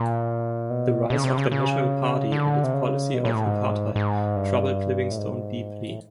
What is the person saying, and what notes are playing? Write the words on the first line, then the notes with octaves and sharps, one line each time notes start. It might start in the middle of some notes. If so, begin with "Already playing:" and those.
The rise of the National Party and its policy of Apartheid troubled Livingstone deeply.
Already playing: A#2
B2
B2
C#3
C3
C#3
C#3
D3
C3
C#3
B2
A#2
A2
G#2
G#2
G2
A2
G#2
A2